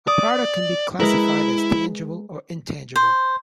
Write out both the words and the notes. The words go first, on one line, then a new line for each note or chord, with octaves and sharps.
A product can be classified as tangible or intangible.
D5 D#6
G#3 E4 A#4 B4
C5